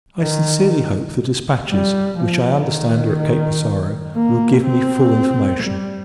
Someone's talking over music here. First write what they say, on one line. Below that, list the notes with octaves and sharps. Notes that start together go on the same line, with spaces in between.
I sincerely hope, the dispatches, which I understand are at Cape Passaro, will give me full information.
D#3
G3
F3
D#3
A#3
C4
G3